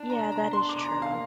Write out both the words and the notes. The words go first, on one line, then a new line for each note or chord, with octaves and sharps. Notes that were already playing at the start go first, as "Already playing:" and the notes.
Yeah, that is true.
Already playing: D4
A#5
A#5
C6
D6
A#5
F5
A#3